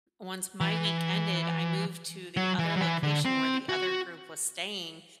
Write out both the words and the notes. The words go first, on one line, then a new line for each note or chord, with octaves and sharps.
once my week ended, I moved to the other location where the other group was staying,
E3
F#3
E3
F#3
E3
D3
C4
F#4